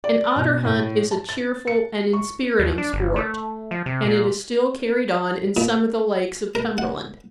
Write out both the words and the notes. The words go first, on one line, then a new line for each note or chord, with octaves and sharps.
An otter-hunt is a cheerful and inspiriting sport, and it is still carried on in some of the lakes of Cumberland.
D5
B2
A2
A5
A6
C#7
C#6
D#2
D4
G1
A3
F3
C3
A#2
A#2
A#4
F#5